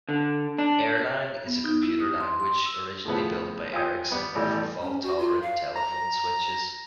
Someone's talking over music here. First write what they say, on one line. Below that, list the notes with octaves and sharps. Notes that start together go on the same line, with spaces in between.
Erlang is a computer language originally built by Ericsson for fault-tolerant telephone switches.
D3
D4
C#5
B3
D#4
E4
D#6
C6
C6
E6
A2 C#3 F3 B3
F4 G5 G#5 D#6
G3 B3 D5
A1 A2 E3 G3
C#4
F#4
F4
F5
A#5